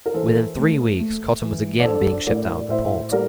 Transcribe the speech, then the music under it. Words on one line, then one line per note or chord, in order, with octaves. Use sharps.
Within three weeks, cotton was again being shipped out of the port.
A#4
E3 A4 C5
A3
A3
E3
D5
D4 A4 C5
A2 A#4 D5
A2 C5 E5
G3 A#4 D5